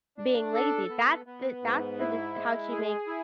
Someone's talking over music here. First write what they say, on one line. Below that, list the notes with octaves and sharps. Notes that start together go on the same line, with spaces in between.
being lazy, that's the that's the de how she makes
D4
A4
B3
B3
G#2
E4
G#3
G#4
E4